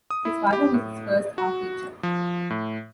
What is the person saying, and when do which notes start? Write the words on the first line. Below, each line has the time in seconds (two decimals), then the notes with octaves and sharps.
His father was his first art teacher.
0.10 D#6
0.25 E4
0.53 G4
0.74 A2
1.38 F#4
2.03 F3
2.50 A2